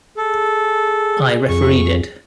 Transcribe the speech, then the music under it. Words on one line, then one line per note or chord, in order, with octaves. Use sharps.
I refereed it.
G#4 A4
F2 C#6